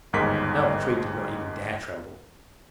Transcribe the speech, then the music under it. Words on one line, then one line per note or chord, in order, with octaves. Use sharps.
Now the Tree did not even dare tremble.
G1 D#2 G#2 A#4 B6